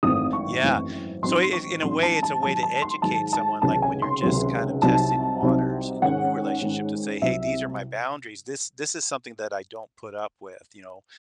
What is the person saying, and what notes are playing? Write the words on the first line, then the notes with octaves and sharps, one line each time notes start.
Yeah. So it in a way, it's a way to educate someone, like, when you're, just, kind of, testing the waters in a new relationship to say, "Hey, these are my boundaries. This this is something that I don't put up with, you know,
G#1 F#2 E3 A3 C4 D#6
C#6
G#1 F#2 E3 A3 C4
A1 G#2 F#3 C4 D#4 C6
C#6
A1 G#2 F#3 C4 D#4 C6
A5
A5
G#2 D#3 F#3 A5
A5
C6
G#2 D#3 F#3 A5
A5
C#2 C3 D#3 F#3 C#4 A5
G#5
C6
C#2 C3 D#3 F#3 C#4
C2 C3 F#3 C4 D#4 A5
C2 C3 F#3 C4 D#4
G#2 D#3 G#3 C#4 F#5
G#2 D#3 G#3 C#4
C2 C3 F#3 C4 E5